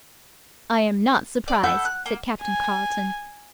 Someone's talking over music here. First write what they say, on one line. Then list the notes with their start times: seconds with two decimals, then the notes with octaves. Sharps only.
"I am not surprised," said Captain Carleton.
1.48 D5
1.63 E4 A4 F#5 G6
1.85 F#6
2.06 A#3
2.42 G#5